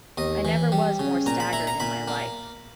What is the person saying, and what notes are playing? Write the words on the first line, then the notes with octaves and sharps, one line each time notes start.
I never was more staggered in my life.
D#2 D#5
E3
G3
C#3
A#2 A#5
B5
E4 A#5
A#5
A#2 B5
A#3